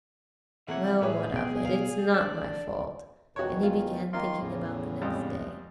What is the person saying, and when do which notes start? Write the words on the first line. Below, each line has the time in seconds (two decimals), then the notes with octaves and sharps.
"Well, what of it? It's not my fault." And he began thinking about the next day.
0.68 C3 E3 A3 A#3 C#5 F#5
1.01 A2 E4 G#4 B4 C#5
1.33 B2 G5
1.65 F5
2.14 D4 A4 D5
3.36 E2 B2 D#3 F#4 C#5
3.63 F4
4.13 D#3 A#3 F4 C6
4.41 E2 A2 C#3
5.02 F2 G3 G#3